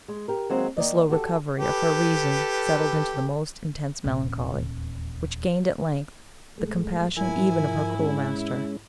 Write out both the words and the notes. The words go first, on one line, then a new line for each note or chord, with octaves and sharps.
The slow recovery of her reason settled into the most intense melancholy, which gained at length the compassion even of her cruel master.
G#3
G4 A#4
D#3 F#3 G#3 A#3 C4
D#3 A#3 D5 D#5
F#4 G4 A4
G4 A4 B4
D#1 E2
A1 G#3 A3
G#2 F3 E4 A#4 G#5
G#3 C#4